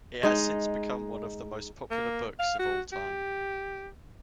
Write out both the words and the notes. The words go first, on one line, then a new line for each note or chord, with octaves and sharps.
It has since become one of the most popular books of all time.
G#3 D#4
A#3
F5
F#4
G4